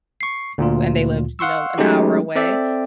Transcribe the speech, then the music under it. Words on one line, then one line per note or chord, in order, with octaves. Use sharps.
and they lived, you know, an hour away,
C#6 C7
D2 A#2 F4
F5 F#5 C6 C#6 E6
F#3 G#3 A3 C#4 D#4 G4
C4 A4 D5 E5 G5